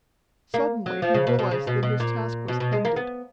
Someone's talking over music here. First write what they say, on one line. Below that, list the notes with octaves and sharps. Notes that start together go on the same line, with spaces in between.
Suddenly he realized that his task was ended.
A#3
F#3
F3
C#3
B2
B2
C#3
B2
B2
A#2
B2
B2
G#3
A#3
B3